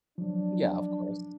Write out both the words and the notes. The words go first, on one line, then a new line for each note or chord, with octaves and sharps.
Yeah, of course.
F3 F#3 D4